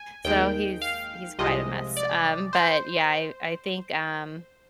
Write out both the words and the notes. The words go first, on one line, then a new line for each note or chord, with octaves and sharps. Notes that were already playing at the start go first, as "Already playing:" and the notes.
so he's he's quite a mess. Um, but, yeah, I I think, um,
Already playing: G#5
D#2 D#3 G#3 G5
F5
C2 C3 F3 G#3 D#5
D5
C5